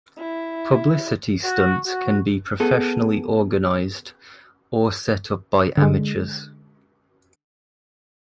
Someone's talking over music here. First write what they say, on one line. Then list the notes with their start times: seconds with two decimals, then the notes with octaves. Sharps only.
Publicity stunts can be professionally organized, or set up by amateurs.
0.18 E4
1.44 F#4
1.85 F#4
2.60 B3 G#4 A4
5.77 D3 G#3